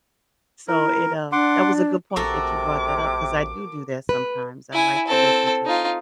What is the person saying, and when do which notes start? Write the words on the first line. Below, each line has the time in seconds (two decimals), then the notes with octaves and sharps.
So, it, uh that was a good point that you brought that up 'cause I do do that sometimes, I like listen to
0.68 E4 A#4
1.32 D4 F#5 C6 D6
2.16 A#1 C3 F#4 A4 A#4 D6
4.09 B4
4.73 E4 G#5
5.07 C4 A4
5.66 D#4 F4